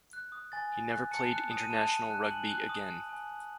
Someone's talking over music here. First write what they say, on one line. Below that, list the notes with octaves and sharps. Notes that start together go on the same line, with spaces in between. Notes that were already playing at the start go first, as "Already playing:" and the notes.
He never played international rugby again.
F#6
D#6
G#5 A6
G#5
F#6
A5 C#7
F#6
D#6
D#7
A5 E7
A5
F#6
G#5 F#7
F#6
D#6
G#5
G#5
F#6